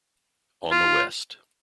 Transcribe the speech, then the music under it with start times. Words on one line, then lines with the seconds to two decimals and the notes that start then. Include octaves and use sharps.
On the West.
0.71 F4